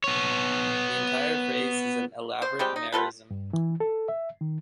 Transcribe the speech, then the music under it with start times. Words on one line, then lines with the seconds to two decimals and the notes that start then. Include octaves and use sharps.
The entire phrase is an elaborate merism.
0.04 B3 C#5
2.42 C5
2.59 G3 G#3 C4 G4
2.76 D#4
2.92 G3 F4 A4 B4
3.31 G2
3.53 E3
3.80 A4
4.08 E5
4.41 D#3